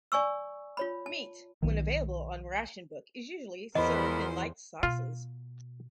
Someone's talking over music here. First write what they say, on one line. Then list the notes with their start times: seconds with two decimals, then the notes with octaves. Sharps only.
Meat, when available on ration book is usually served in light sauces.
0.12 D5 G#5 C#6 E6
0.77 F4 C#5 B5
1.06 A5
1.62 B1 D#3
3.75 E2 E3 F3 B3 A#4 C5 D#5 B5
4.83 B2 F4